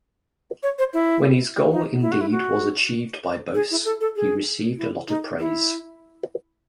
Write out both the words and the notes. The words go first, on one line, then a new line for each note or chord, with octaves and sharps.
When this goal indeed was achieved by "Bosse", he received a lot of praise.
C#5
C5
E4
D#4
E4
F#4
E4
F#4
G#4
E4
A4
A4
G#4
E4
D#4
E4